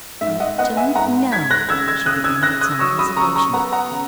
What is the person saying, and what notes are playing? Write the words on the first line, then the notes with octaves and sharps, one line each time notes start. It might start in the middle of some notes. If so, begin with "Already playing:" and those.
"I don't know," she began with some hesitation.
G#2 E5
D#5 F#5
B3 D#5 F#5
E5 G#5
G#2 F#5 A#5
G#2 G#6 B6
F#6 A#6
C#3 E6 G#6
E6 G#6
C#3 D#6 F#6
E6 G#6
C#3 F#6 A#6
D#6 F#6
F#3 C#6 E6
B5 D#6
C#3 A#5 C#6
A#5 C#6
B3 F#5 A#5
F#5 A#5
C#3